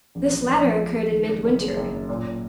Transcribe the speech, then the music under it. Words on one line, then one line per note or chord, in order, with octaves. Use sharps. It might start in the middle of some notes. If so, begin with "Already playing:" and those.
This latter occurred in midwinter.
A#1
A#1
A#1
F3
G#3
F3
D#3
F#1
F#1
G#3
F#1
F#2
A#2
A#2